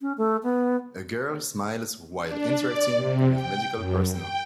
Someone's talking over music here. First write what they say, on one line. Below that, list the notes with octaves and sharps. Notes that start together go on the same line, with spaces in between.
A girl smiles while interacting with medical personnel.
C#4
A3
B3
D4
D5
C3
G5
F#2
G5